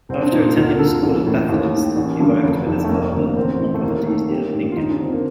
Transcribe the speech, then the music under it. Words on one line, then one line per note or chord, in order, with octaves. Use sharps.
After attending school in Bathurst, he worked with his father on properties near Nyngan.
C2 C4
D4
A#2 D#4
D2 F4
A#4
D3 A4
A1 A#3
A2
D#2
D#3
A1
G2 D3
F1
F2 D#3
A3
F1 A#3
D#2 D3 A#3
A#3
A1 C4
A2
A3
D#2 A#3
A#3
D#3 A3
G1 G4
D#3
G2
F4
D#2 D#4
D4
D3 C4
A#3